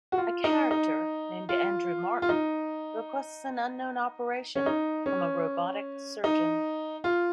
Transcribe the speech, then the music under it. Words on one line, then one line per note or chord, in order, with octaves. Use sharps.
A character named Andrew Martin requests an unknown operation from a robotic surgeon.
F#4
F4
D#4
D#4
F4
F4
D#4
C#4
D#4
C#4
D#4
F4